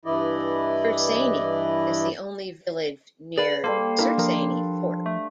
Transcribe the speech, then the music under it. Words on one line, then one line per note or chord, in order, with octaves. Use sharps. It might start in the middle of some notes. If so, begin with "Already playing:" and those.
Bersaini is the only village near Sersaini Fort.
G2 E3 E4 D5 D#5
G#4 B4 D5 F5
G3 A#3 A4 C5
D4 E4 A#4 F5
F3 A#4
A3